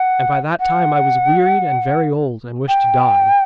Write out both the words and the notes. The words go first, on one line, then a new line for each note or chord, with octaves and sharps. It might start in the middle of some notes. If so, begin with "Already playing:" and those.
And by that time I was wearied and very old, and wished to die.
Already playing: F#5
F#5
G5